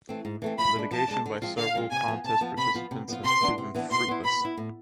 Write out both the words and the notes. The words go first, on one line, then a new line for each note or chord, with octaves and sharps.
Litigation by several contest participants has proven fruitless.
E3 A3 C4
G#2
E3 A3 C4
F3 B5
G#3 D4
F3 A5
G#3 D4
D3
F3 G#3 C4 F4
D3 F5
F3 G#3 C4 F4
C3 G#5
F3 B3
C3 A5
F3 B3
C3 B5
F3 B3 F4
C3
F3 B3 F4
C3 C6
E3 B3 D4
C3
E3 B3 D4
B2 C6
B3 E4
B2 B5
B3 E4
A2